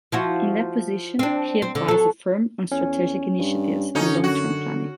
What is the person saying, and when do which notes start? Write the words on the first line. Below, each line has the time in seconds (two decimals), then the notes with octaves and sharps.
In that position, he advised the firm on strategic initiatives and long-term planning.
0.12 F3 E4 F#4
1.19 C4 D4
1.62 C4
1.75 D3
1.88 F#3 A4
2.72 E2 C#4
3.39 G2
3.95 F#2 D3 C#4 D#4
4.24 F#4